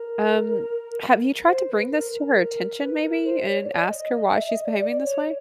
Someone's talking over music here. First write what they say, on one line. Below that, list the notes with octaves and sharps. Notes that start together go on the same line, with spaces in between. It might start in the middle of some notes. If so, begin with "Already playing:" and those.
Um, have you tried to bring this to her attention, maybe? And, ask her why she's behaving this way?
Already playing: A#4
C5
B4
A#4
A#4
B4
A#4
C5
C#5
D5
D#5
D#5
D#5
E5
D#5
D5
D5
C#5